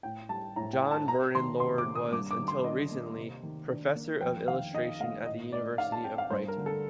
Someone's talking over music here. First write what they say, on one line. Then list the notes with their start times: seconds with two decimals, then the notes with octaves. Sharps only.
John Vernon Lord was, until recently, Professor of Illustration at the University of Brighton.
0.03 A2 G5
0.29 G3 A5
0.56 A2 A#5
0.73 G5
0.82 D4
0.91 A5
1.08 C3 A#5
1.35 D#3 C6
1.60 C3 C6
1.78 D6
1.87 A#3
1.95 D#6
2.12 G2 D6
2.31 D6
2.39 D#3
2.48 C6
2.64 D4 D#5
2.91 A#3
3.17 C3
3.43 D#3
3.69 D4
3.95 A#3
4.21 F2 G5
4.48 D#3 F5
4.73 D#4 D#5
5.00 A3 F5
5.26 A2 D#5
5.52 A3 D5
5.78 D#4 F5
5.92 A5
6.04 C4 G5
6.18 F5
6.30 G2 C5
6.48 A#4
6.57 D3
6.66 A4